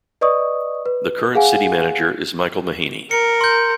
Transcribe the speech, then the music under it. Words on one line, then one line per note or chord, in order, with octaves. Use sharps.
The current City Manager is Michael Mahaney.
B4 D5 D#5 C#6 D#6
B4
G#4 F5 F#5 G#5
A#4 C#7
C6 G6